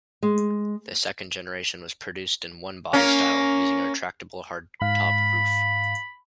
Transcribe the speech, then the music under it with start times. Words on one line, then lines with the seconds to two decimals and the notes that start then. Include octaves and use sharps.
The second generation was produced in one body style, using a retractable hardtop roof.
0.23 G#3
2.93 A#3 C#4
4.81 G#2 F5 B5